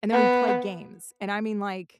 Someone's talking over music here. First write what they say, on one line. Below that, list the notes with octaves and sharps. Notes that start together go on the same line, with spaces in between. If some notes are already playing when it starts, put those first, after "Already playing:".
and then we'd play games, and I mean, like,
B3